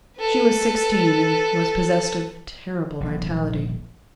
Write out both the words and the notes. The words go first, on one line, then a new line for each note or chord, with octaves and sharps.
She was sixteen, and was possessed of terrible vitality.
A4 B4
D#1 A#1 C3